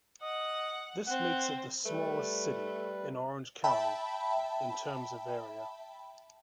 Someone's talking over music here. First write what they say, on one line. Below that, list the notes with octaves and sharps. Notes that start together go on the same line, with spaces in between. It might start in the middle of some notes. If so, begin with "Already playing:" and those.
This makes it the smallest city in Orange County in terms of area.
D#5 F#5
C4 F#5
G3 A3 B4
E5 G5 A5 B5